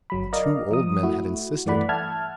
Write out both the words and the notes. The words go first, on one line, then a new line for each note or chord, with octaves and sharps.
The two old men had insisted.
G1 F#3 B5
A#4 D5 D#5 F5 A#5
F3 D#6
A3 E4 F#4
G2 E3 A3 D5 F#5 B5
E5 F#5 A5 F6 G#6